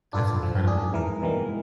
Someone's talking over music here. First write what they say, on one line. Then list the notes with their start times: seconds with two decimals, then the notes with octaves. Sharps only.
That's incredible.
0.13 D4 F4 A4 B4
0.43 F3
0.67 G#2 D4 G#4
0.93 G#2 E3 A#4
1.21 G#2 B2 D#3 E3 G3 A#3